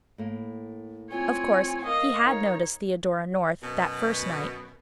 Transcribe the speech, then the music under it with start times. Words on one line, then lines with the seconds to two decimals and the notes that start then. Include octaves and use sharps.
Of course, he had noticed Theodora North that first night.
0.18 A2 A#3
1.11 C4 F4 C#5 G#5
1.85 A#4 D#5 F5
2.24 D#4 C#5
3.63 F#2 B2